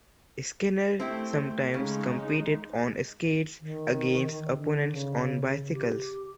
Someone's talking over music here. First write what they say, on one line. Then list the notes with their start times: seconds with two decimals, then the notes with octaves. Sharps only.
Skinner sometimes competed on skates against opponents on bicycles.
1.00 A3 C4 E4 G4
1.74 C#3 G#3 C#4 D#4
3.61 D#3
4.50 D3
4.92 C#3
5.46 C#3
5.72 G4